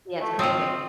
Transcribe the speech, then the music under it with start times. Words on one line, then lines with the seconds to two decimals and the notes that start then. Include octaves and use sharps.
Yeah, it's crazy.
0.21 A3
0.39 C4 F4 D#5